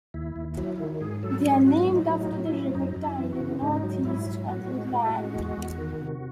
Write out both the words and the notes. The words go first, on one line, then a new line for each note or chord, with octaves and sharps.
They are named after the River Tyne in north-east England.
D#2 E4
D#2
F#3 E4
D#3
G#2 G#4
F#3 A4
G#2 G#4
F#3 F#4
A2 E4
D#4
E4
F#3
D#4
A2
E4
F#3
F#2 D#4
F#2
E4
E3
F#4
C#3
G#2 D#4
F#3
G#2 E4
F#3
A2 F#4
G#3
A2
G#3
E2
E2
D#3
C3